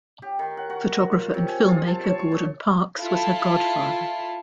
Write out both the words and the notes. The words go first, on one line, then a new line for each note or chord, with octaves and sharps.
Photographer and film-maker Gordon Parks was her godfather.
G4
D#3
F#5
F#4
F4
C3
G#5
F4
A5
C#5
C#6
A#2
E4 F4 A4